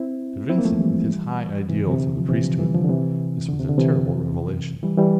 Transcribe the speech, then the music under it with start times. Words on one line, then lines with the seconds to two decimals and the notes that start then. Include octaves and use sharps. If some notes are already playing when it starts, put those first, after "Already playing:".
To Vincent, with his high ideals of the priesthood, this was a terrible revelation.
Already playing: C4 E4
0.49 C4 E4
0.58 A#3
0.65 F3 A3
0.79 E3 G3
1.69 C3 E3
1.84 D3
1.90 C3
2.18 F3
2.29 C3 E3
2.44 D3 F3
2.59 E3 G3
2.74 D3 F3
2.84 D3
2.89 C3 E3
3.49 D3
3.59 C3
3.69 D3
3.78 C3 E3
4.83 E3 G3
4.98 E3 G3